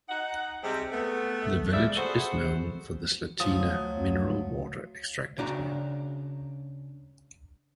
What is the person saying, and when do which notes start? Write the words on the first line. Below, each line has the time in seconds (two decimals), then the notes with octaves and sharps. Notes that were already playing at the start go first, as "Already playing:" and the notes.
The village is known for the Slatina, mineral water extracted here.
0.09 D#4 F#5
0.63 C3 G3 G#3 C4
0.92 A3 B3
1.72 C#3 F3 D5 E5
1.96 B3 F#4 G#4 A4 C5
3.40 D2 F3 F#3 D#6
5.38 C#3 D4 F#4 A#5